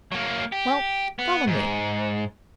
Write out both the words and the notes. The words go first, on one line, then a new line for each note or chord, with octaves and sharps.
"Well, follow me."
F#3 A#3
G4
B3
G#2